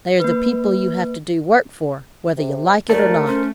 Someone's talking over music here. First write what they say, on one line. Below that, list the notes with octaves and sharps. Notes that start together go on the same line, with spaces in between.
They are the people you have to do work for, whether you like it or not.
A#3 B4
C3
D#2 A3 A4 A#4 D5
C#4 C5